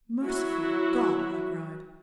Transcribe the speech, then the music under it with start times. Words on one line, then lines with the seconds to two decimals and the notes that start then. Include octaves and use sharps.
"Merciful God!" I cried.
0.23 F#3 E4 F#4